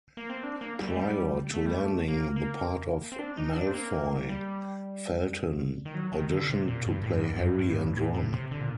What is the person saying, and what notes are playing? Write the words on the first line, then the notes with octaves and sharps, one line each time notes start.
Prior to landing the part of Malfoy, Felton auditioned to play Harry and Ron.
A#3
C4
D4
A#3
G3
A3
G3
A3
G3
A3
A#3
A#3
C4
D4
D#4
D4
C4
A#3
G3
D#3
F#3
D#3
D3
C3
A#2
G2
A2
F#2
G2
F#2
G2
G2
A2
G2
A2
A2
C3
D3
A#2